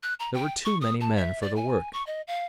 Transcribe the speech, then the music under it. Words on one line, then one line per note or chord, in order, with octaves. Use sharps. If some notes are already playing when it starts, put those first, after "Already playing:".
There were too many men for the work.
F#6
A#5
G5
C#6
D#6
A5
E5
D5
G#5
C#6
D#5
F5